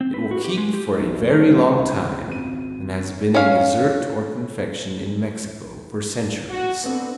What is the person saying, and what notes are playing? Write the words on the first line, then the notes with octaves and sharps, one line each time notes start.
It will keep for a very long time and has been a dessert or confection in Mexico for centuries.
C4
B4
F#4
G4
G#3
G4
B1 D#4
G1 A3
G3 A#3 C4 D#4 E4
C#2 C#3
G#1 D#7
C#4 F5
F#4
D3 B3 C4